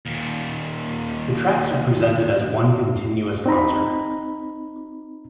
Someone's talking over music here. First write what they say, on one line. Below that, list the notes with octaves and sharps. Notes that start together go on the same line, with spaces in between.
The tracks are presented as one continuous concert.
D#2 A#2
C4 D#4 A#5 B5